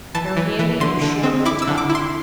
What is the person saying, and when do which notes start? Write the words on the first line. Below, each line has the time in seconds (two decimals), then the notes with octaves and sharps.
They're handy and short and tough.
0.15 E3 A5
0.37 E3
0.59 E3
0.80 D3 C6
1.01 D3
1.23 C4
1.45 E4 D6
1.62 E6
1.68 D3
1.78 D6
1.90 E4
1.95 C6